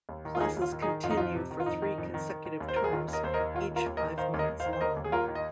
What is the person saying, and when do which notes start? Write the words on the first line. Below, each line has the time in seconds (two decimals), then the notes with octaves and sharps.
Classes continue for three consecutive terms, each five months long.
0.09 D#2
0.25 D#3
0.35 F4
0.40 D#2 D#4 G#4
0.57 D#2 F4
0.72 D#3
0.82 D#4 G#4
0.88 D#3
1.04 F2 F4
1.11 D#4
1.17 F2 F4
1.35 C3
1.51 D#3
1.60 F4
1.66 F2 D#4
1.82 D#3
1.98 F2
2.14 D#3
2.30 D#3
2.45 D#3
2.60 D#2
2.69 C5
2.76 D#3 A#4
2.84 G#4
2.92 D#3 F4
3.08 D#2
3.13 A#4 D#5
3.24 D#2 C5
3.34 A#4 D#5
3.40 D#3
3.55 D#3 F4
3.71 D#2 F4 A#4
3.86 D#2
3.97 A#4 D#5
4.02 D#3
4.18 D#3 C5 F5
4.34 D#2
4.39 A#4 D#5
4.49 D#2
4.60 C5 F5
4.66 D#3
4.73 C5
4.81 D#2 A#4 D#5
4.97 D#2
5.04 G#4
5.12 D#2 F4 A#4
5.28 D#3
5.35 D#5